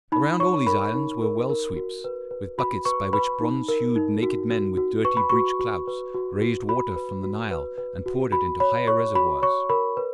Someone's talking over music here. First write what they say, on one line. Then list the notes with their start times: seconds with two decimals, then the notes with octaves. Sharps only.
Around all these islands were well-sweeps, with buckets by which bronze-hued naked men with dirty breech clouts raised water from the Nile and poured it into higher reservoirs.
0.12 D#4 B5
0.40 C#5 C#6
0.67 A#4 B5
0.94 D#4
1.22 A#4
1.49 A#4
1.76 F#4
2.04 B4
2.31 B4
2.58 F#4 B5
2.85 B4 C#6
3.13 B4 B5
3.41 D#4
3.68 A#4
3.96 D#4
4.23 F#4
4.50 F#4
4.77 F#4
5.05 B4 C#6
5.17 B5
5.30 F#4 C#6
5.59 F#4
5.87 B4
6.14 F#4
6.41 F#4
6.69 F#4 B5
6.96 B4
7.24 F#4
7.51 B4
7.78 B4
8.06 F#4
8.32 F#4 B5
8.60 C#5 B5
8.87 C#5 C#6
9.15 F#4 B5
9.42 C#5 C#6
9.69 A#4 B5
9.97 B4